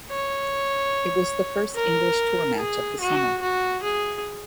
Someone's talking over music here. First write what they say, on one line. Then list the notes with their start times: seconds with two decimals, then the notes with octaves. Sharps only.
It was the first English tour match of the summer.
0.10 C#5
1.75 A#4
2.59 G#4
3.00 F#4
3.41 F#4
3.83 G#4